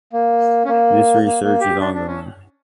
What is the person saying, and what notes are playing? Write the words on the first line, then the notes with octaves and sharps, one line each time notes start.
This research is ongoing.
A#3
C#4
A#3
A#3
A#3
G4
D4
D4
C#4